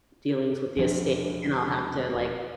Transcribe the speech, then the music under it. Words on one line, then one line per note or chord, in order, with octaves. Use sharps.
dealings with the estate, and I'll have to, like,
E1 F3 D4